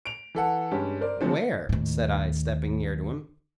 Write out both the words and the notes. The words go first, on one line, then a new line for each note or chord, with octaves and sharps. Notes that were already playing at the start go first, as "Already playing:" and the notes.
"Where?" said I, stepping near to him.
D7 F7
E3 A4 F#5
G2 G3 G#3 C#4 G4
A#4 C5 D5
D3 F3 F#3 G#3 A3 C4
D#2 A2